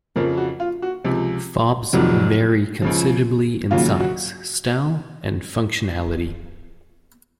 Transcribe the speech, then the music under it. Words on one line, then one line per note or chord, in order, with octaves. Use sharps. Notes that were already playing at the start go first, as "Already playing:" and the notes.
Fobs vary considerably in size, style and functionality.
F2 C#3 F3 A#4
F#4
F4
F#4
C#2 C3 F3
F1 F2 C3 D#3 F#3
C#2 C#3 F3
D#2 C#3 F#3 F4
F#4